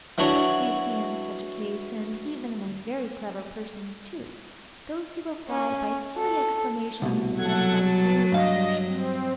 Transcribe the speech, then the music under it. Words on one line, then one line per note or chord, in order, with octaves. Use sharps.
Thus we see, in such a case, and even among very clever persons too, those who reply by silly exclamations and by rude assertions.
E3 F#3 D4 F#4 C#5
C#4
A4
C2 B2
F#3 A4 F#5 G#6
A5
G2 D#5 F5
C4